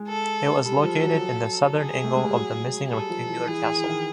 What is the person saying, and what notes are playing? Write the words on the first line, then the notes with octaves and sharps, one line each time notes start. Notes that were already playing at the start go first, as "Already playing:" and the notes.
It was located in the southern angle of the missing rectangular castle.
Already playing: G#3
A4
G3 A4
F3
F#3
G#4
A3
G#3
G3
F#3
G3 A4
F3
E3
E3 G#4
E3
E3
D#3